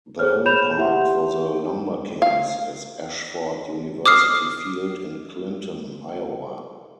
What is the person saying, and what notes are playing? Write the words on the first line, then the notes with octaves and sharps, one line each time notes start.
The home park for the LumberKings is Ashford University Field in Clinton, Iowa.
G#4 A4 C5 C#5 F6
C#5 B5 G6 E7 F7
E4 G4 E5 F#5 C6
F5
D6 D#6 F6 C7